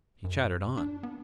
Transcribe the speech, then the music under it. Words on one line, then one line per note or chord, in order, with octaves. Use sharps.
He chattered on.
F#2
D4
B3